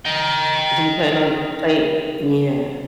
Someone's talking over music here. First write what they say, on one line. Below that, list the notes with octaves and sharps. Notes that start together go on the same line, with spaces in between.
Do you plan on play yeah,
D#5 G5